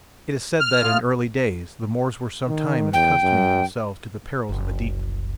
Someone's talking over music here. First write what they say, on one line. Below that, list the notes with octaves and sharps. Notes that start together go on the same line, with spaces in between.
It is said that in early days the Moors were some time in accustoming themselves to the perils of the deep.
F6
A2 F4 D#5
D#3
E2 G5
F#2
F#1 C2